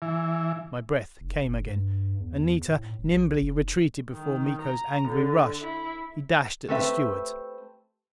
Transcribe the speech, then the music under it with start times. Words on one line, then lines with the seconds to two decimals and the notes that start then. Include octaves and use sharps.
My breath came again; Anita nimbly retreated before Miko's angry rush. He dashed at the stewards.
0.02 E3
1.20 F1
1.44 F#1
1.68 G2
2.20 E2
2.70 A2
2.98 D#1
3.11 A#1
3.37 F1
4.12 D#3
4.62 A#5
5.08 D3
5.61 E4
6.69 A3 C4 G4 B4 C5 E5